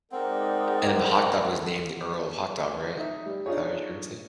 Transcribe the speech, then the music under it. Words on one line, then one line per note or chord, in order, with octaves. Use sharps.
And then the hot dog was named the Earl Hot Dog, right? Is that what you're trying to say?
G#3 C4 D#4 A#4 D5 F#5
D#4 E5
G3
D4 D#4 F4 G#4 C#5